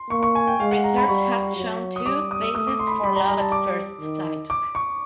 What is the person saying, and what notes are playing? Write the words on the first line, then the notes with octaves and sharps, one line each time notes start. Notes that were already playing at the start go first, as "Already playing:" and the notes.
Research has shown two bases for love at first sight.
Already playing: C6
A#3 C#6
C#6
G#5
G5
G#3 F5
F#5
A#5
B5
G3 C#6
F#3
D#6
G3 D6
D#6
E6
A3 D#6
D6
C6
B5
C6
G3 B5
A#5
A#5
A5
D6
D#3
D6
C#6